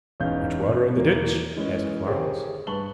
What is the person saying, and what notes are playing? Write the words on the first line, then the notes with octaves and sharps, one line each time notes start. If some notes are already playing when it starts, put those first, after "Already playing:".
"Much water in the ditch?" asked Quarles.
E1 E2 C#4 D#4 F5 G6
B2
E2 E3 A#3
E3 G#3 B3 C#4
G4 G#4 A#4 C5 C#5
G2 B4 A5 C#6 F#7 G7